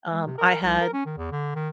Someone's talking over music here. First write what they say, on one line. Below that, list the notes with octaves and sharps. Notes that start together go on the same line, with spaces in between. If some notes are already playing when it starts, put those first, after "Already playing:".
um, I had
G#3
C3
A#4
C2
A#4
C#4
D#3
E2
D3
D#3